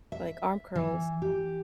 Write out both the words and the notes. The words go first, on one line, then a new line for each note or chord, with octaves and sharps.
like arm curls,
E5
E3
G4